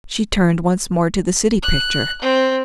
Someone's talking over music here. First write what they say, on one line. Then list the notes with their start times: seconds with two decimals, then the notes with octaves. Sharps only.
She turned once more to the city picture.
1.63 F#6
2.22 C4